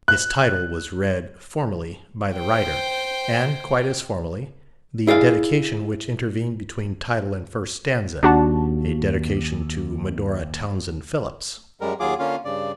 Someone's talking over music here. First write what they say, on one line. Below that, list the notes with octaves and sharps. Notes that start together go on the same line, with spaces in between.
Its title was read, formally, by the writer; and, quite as formally, the dedication which intervened between title and first stanza,--a dedication to "Medora Townsend Phillips."
F#6
C5 G5
E4 G#4 D5 F5
D#2 D4 F#4 A5
F#2 G3 G#3 A#4
D#2 F#3 F4 G#4 D6
D3 A#3 C#4 F4 F5
G2 C#3 D5